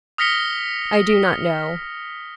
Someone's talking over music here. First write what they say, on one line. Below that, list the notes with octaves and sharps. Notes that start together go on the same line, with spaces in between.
"I do not know."
D#6 F6 A#6 B6 C#7 G7